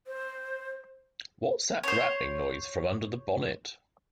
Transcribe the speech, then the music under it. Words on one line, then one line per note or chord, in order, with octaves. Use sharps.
What's that rattling noise from under the bonnet?
C5
C5 C#5